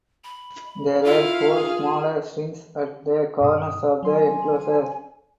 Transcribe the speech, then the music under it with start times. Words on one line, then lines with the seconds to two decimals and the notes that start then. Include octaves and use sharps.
There were four smaller shrines at the corners of the enclosure.
0.24 B5
1.05 E4 F4 F5
1.54 G#4
3.41 G2 B2 D#6
4.03 F#3 G#5 C6